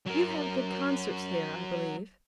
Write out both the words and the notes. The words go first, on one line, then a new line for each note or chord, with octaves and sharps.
'You have good concerts here, I believe.'
F#3 A#4